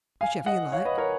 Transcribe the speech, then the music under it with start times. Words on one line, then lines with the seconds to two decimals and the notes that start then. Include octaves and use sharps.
"Whichever you like."
0.21 F5 G#5
0.46 D#5 F#5
0.72 C#5 F5
0.85 B4 D#5
0.98 A#4 C#5